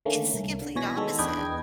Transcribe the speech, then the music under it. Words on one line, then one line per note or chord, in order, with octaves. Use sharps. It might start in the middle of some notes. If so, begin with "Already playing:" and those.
It's the complete opposite.
D3 D#3 A3 A#3 C#4
C2
D3
B2 E3 C#5 G#5 A#6 B6
D#3 G#3 B3 A4
E2 D4 B4 D#5 G5 G#6